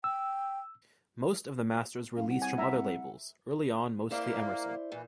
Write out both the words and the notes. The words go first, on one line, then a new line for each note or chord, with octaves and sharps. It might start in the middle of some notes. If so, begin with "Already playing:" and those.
Most of the masters were leased from other labels, early on mostly Emerson.
G5 E6
F#1 F5
C2 F#5
G#5
E5 A#5
A#3 E4 C5 D5
A#2 E3